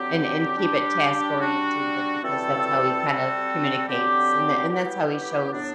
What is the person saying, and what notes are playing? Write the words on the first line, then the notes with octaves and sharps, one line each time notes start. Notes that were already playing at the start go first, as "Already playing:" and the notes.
and and keep it task-orientated because that's how he kind of communicates, and th and that's how he shows,
Already playing: D3 F#3 C4 G4
G3 D4 G4
G3 D4 F#4
E3 G3 C4 F#4 A4
G3 C4 F#4 A4
D3 F#3 C4 G4
F#3 B3 E4 G4
A2 F#3 B3 D4